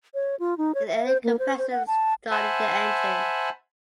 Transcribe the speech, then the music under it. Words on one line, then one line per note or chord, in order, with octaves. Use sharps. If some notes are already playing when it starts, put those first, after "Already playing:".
An air compressor started the engine.
C#5
F4
D#4
C#5
E5
C5
A#3
C5
C5
F#5
A5
C5 E5 F#5 G#5 A5 B5